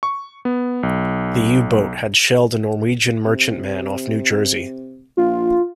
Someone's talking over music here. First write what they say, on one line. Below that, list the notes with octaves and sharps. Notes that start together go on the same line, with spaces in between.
The U-boat had shelled a Norwegian merchantman off New Jersey.
C#6
B3
B1
C3
A#1 F4